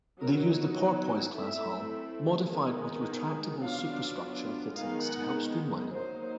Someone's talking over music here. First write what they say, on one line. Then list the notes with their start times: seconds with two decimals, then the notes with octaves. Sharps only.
They used the "Porpoise"-class hull, modified with retractable superstructure fittings to help streamlining.
0.20 F#3 B3 D#4 A#4
1.34 A3 C4 E4 E5
2.49 D#3 G#3 B3 D#4
3.62 F#3 B3 D4 F4 F5
4.77 D#3 G#3 B3 D#4 F5
5.05 F#5
5.91 F#3 A#3 D#4 C5